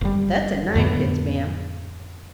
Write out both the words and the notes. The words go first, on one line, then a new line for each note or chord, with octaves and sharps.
That's a ninepence, ma'am.
F#1 G3
F2 A2 D3 B3